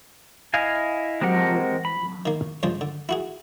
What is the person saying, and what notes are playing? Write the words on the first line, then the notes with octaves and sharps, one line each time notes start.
I’m not working right now.
E4 D#5 F5 G#5
G#3 C4 G4 A#4 F#5
B5
D#3 A#3
G2 C#3 F3 G#3 C5
D3
E4 F#4 G#4